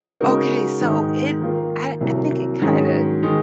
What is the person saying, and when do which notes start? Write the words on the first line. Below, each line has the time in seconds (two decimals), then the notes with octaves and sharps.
Okay, so, it I I think it kinda
0.20 C#3 G#3 D#4 F#4 A#4
0.81 G#2 D#3 G#3 D#4
1.41 D#3 A#3 F4 A#4
2.01 C2 C3 F#3 A#3
2.62 G#2 D#3 F#3 C#4 G#4
3.23 D#3 G#3 D#4